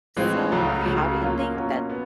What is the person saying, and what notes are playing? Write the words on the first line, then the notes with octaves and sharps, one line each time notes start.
so how do you think that
A2 E3 G#3 C4 F4
C#2 C#3 F#3 A3
C#2 C#3 F#3 A3
B2 F#3 A#3 C#4 F4
B2 F#3 A#3 C#4 F4
B3